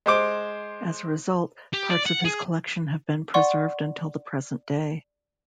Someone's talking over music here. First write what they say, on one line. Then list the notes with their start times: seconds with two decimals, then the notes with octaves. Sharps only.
As a result, parts of his collection have been preserved until the present day.
0.06 G#3 C5 D6
1.73 G4
1.90 D5
2.06 F#5
2.25 G#4
3.34 D5 F#5 C6 C#6